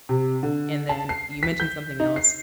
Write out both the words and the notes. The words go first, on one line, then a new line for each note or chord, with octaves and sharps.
And then you mentioned something else
C3
D3
A5
C7
B6
G6
D#4
C7